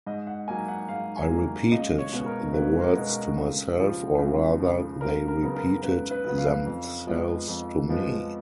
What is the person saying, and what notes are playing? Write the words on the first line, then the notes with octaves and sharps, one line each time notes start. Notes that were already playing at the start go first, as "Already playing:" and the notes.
I repeated the words to myself, or rather they repeated themselves to me.
G#2 D#5
F#5
F#3 A#3 G#5
F#5
G#2 F5
G#5
F#3 A#3
C#2 D#5
C#5
B2 G#3 B3
A#4
C#2 B4
A#4
B2 G#3 B3
A#4
C#2
C#3 F3
C#2
C#3 F3
C#2 A#4
A#4
C#3 F#3 B3
A#4
C#2 B4
B4
C#3 F#3 B3
F5
F2
F3 G#3 B3
F2
F3 G#3 B3